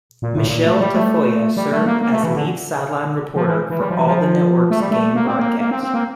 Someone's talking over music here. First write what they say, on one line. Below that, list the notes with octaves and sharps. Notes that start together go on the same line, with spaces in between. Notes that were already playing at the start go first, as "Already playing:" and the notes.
Michele Tafoya served as lead sideline reporter for all of the network's game broadcasts.
A#2
A2
A#2
A3
G3
A3
G3
A3
A#3
A#3
A3
E3
D3
F3
E3
E3
G3
F3
E3
F3
A3
G3
A3
A#3
C4
A#3
A#3
C4
C4
A#3